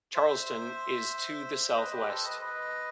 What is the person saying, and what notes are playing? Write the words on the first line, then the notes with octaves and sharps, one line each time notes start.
Charleston is to the southwest.
C5 E5
B4 D#5
G4 B4
D#5
A4 C5
B4 D#5
B4 D#5